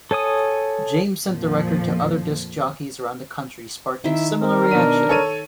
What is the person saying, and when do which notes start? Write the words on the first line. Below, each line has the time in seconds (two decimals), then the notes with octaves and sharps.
James sent the record to other disc jockeys around the country sparking similar reaction.
0.11 A4 C#5 G#5 D#6
1.28 F2 A#2 F3
4.04 D#3 E4 E5
4.41 C4 A#4
4.71 B2 D4 D#7
5.09 A4 C#5 D#7